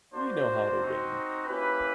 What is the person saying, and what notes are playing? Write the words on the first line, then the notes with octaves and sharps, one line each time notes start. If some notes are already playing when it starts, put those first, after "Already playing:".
We know how to win.
A#3 D4 F#4 C5
C4 D#4 F#4
A#3 C#4 E4 G4 B4